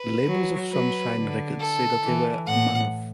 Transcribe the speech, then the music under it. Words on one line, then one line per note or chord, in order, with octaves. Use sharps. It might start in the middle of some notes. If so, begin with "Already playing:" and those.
The labels of Sunshine Records say that they were Manuf.
Already playing: B4
F#3
F#3 B4
D3
A4
E3
A2 F#5